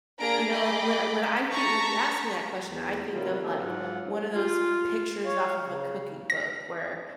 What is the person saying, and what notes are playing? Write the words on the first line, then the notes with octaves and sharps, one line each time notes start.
you know, like when when I thi when you ask me that question, I think of, like, one of those pictures off of a cooking book where,
A#3 D4 G#4 A#5 D7
G#4 D#5 G5 B5 D6
A5 A#5 C#6 B6
E2
C3 D#3 F#3 G3 F4
F#3 A#3 D#4 A4
G#2 F#3 F4 F#5
F4
C#5 F5
C#3
A#6